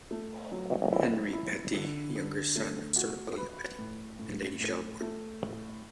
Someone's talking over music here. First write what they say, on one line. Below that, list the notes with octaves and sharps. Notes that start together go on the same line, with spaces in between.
Henry Petty, younger son of Sir William Petty and Lady Shelburne.
A3
F#3
E4
E4
D3
D3
A3
F#4
B4
A2
A2
A2
A3
A2